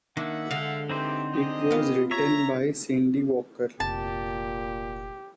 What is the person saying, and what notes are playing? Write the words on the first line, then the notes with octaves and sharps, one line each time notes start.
It was written by Cindy Walker.
D#3 A#3 D4 E5 F#5
D3 G#3 F5
E3 F#3 C4 D#4 G4 C5
G4 G#4 D#5
B3 F4
C#5 E5 A#5
F1 A#2 G4 A5